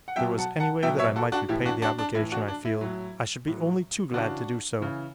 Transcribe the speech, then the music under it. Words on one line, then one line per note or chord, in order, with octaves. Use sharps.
If there was any way that I might repay the obligation I feel, I should be only too glad to do so.
F#5
B2 F#3 E5 G5
F#5 A5
F#5 A5
B2 F#3 E5 G5
C#5 E5
F#4 A4
D4 F#4
A2 E3 E4 G4
D4 F#4
D4 F#4
D4
A2 E3 E4
D4 F#4
D4
E4
A2 F#3
A2 F#3
C#3 E3 D4 F#4
C#3 E3